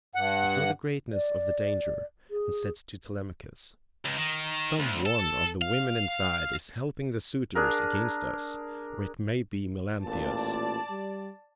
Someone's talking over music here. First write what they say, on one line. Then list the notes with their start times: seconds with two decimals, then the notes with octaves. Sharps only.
He saw the greatness of the danger, and said to Telemachus, "Some one of the women inside is helping the suitors against us, or it may be Melanthius."
0.15 G2 F#5
1.13 D5
2.31 G#4
4.05 C#2
4.18 D#3
4.79 D2
5.05 A4
5.62 F5
7.55 D4 G#4 A#4
10.04 A1 A#2 D5 A5
10.90 G3